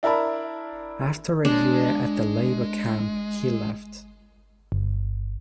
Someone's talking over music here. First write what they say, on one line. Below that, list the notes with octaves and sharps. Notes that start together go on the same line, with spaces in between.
After a year at the labor camp he left.
D4 E4 A#4 A5 B5
G#3 D4
G1